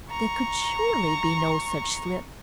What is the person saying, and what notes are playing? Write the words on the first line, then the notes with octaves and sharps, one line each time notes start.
There could surely be no such slip!
A#5 C#6